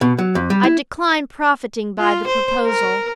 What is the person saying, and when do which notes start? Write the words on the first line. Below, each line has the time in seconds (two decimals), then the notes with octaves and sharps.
I decline profiting by the proposal.
0.01 B2
0.19 F#3
0.35 F2
0.50 G3
0.63 E4
1.99 F4
2.27 C5
2.66 A#4